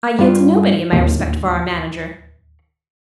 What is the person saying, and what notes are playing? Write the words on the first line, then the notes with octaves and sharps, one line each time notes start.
I yield to nobody in my respect for our manager.
G2 F4
D1 D#2